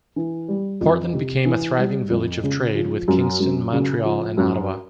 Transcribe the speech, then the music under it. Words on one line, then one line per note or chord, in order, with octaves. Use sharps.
Portland became a thriving village of trade with Kingston, Montreal and Ottawa.
E3
G3
F2
C3
E3
G3
F2
C#3
F3
F#2
F#2
C#3
F3
F#2